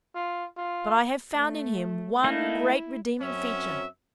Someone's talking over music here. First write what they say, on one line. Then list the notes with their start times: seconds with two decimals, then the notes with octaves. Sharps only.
But I have found in him one great redeeming feature.
0.15 F4
0.57 F4
1.36 A3
2.24 A3 A#3 D#4 E4
3.20 F#2 F#3 C4 C#4 E5